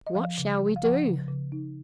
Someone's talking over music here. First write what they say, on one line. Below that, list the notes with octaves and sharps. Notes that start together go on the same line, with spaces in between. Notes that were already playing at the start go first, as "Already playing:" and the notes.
What shall we do?
D#5
F3 F5
C#3
F3
F5
F3 F#5
C#3
C#3
D#4